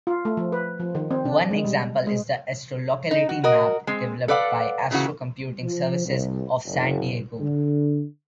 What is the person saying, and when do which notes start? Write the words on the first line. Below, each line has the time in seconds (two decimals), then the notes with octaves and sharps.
One example is the "Astrolocality Map" developed by Astro Computing Services of San Diego.
0.07 F4
0.25 A3
0.37 F3
0.52 B4
0.80 F3
0.95 D#3
1.11 C4
1.25 D4
1.51 G#3
1.65 G3
2.07 G#3
3.11 D#4
3.29 F#4
3.44 F#4 A#4 D#5
3.87 G#3 C4
4.28 A4 B4 D5 F5 F#5
4.91 A#2 C#3 E3 F#4
5.62 F3
6.05 C2
6.66 F#1
7.40 D3